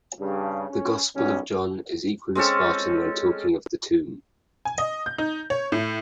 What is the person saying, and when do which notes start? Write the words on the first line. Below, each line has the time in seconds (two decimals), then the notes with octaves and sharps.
The Gospel of John is equally spartan when talking of the tomb.
0.19 G2 C#3
0.69 C#4
1.15 B1 B2 G3 C#4
2.35 G#3 C4 C#4 A4
4.65 G#5
4.78 D#5
5.06 G6
5.18 D#4
5.50 C#5
5.72 A2